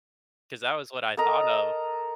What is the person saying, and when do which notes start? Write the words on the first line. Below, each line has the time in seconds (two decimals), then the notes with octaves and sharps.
'Cause that was what I thought of
1.17 A4 A#4 D#5 A#5